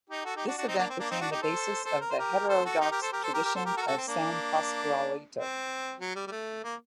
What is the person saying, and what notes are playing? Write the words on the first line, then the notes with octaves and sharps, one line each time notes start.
This event became the basis of the heterodox tradition of San Pascualito.
D#4 G4
F#4 A4
D#4 G4
D4 F#4
D4 F#4
C4 D#4
A#3 D4
C4
A#3 D4
C4 D#4
D4 F#4
D#4 G4
A4 C5
A4 C5
A#4
C5
G4 A#4
A4 C5
F#4 A4
D#4 G4
G4 A#4
A4 C5
G4 A#4
A4 C5
G4 A#4
G4 A#4
A4 C5
G4 A#4
F#4 A4
A#4
F#4 A4
C4
A#3 D4
C4
F#3
G3
G3
A3
A#3